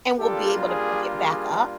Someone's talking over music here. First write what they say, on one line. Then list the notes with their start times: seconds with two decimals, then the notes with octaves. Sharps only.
and we'll be able to pick it back up.
0.18 G3 A#3 D4 F4 G4 A4
0.66 G#4
1.14 G#4